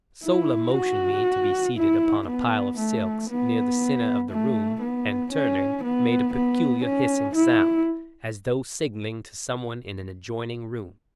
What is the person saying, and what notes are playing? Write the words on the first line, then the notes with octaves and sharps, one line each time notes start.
Sola motioned me to be seated upon a pile of silks near the center of the room, and, turning, made a peculiar hissing sound, as though signaling to someone in an adjoining room.
E4
F#4
E4
B3
A3
B3
A3
B3
C#4
B3
B3
C#4
E4